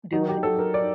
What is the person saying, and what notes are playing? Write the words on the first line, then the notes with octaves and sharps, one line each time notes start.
Do it.
F#3 D#4
G4
F#3 A4
A#4
D5